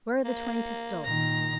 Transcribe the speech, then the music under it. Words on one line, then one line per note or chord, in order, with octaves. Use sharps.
"Where are the twenty pistoles?"
A#3
A#2 D#3 A#5